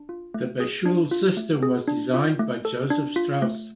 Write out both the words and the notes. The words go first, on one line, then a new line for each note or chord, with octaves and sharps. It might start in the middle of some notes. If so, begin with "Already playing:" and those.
The bascule system was designed by Joseph Strauss.
Already playing: D4
F4
A3
G#4
D4
F4
A3
G#4
D4
F4
A3
A4
D4
F4
A3